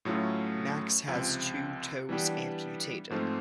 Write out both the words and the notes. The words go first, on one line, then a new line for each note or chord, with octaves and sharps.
Max has two toes amputated.
A2 F#3 A3 C#4 F4
C#2 C3 F3
E3 G3 B3 D4 G4
G#2 F3 A3 C4